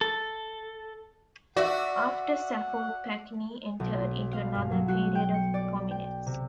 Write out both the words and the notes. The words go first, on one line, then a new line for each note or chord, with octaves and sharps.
After "Saffo", Pacini entered into another period of prominence.
A4
F#4 D5 E5 F#5
B1
F5
G2
F#3
F#4
G5
C#7
D5
G5
C3